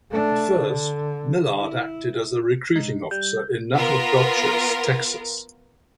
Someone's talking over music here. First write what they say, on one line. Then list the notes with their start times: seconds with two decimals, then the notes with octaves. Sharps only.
At first, Millard acted as a recruiting officer in Nacogdoches, Texas.
0.11 A3 D4
0.60 D3
1.54 E4
2.76 G#2 D#4
3.11 G3 G6
3.76 B3 F4 A#4